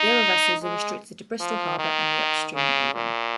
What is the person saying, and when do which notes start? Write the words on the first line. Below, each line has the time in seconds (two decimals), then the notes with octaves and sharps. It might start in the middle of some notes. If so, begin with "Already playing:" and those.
The other vessels are restricted to Bristol Harbour and the upstream Avon.
Already playing: D#4
0.64 G#3
1.40 F3
1.79 D#3
2.56 C#3
2.94 A#2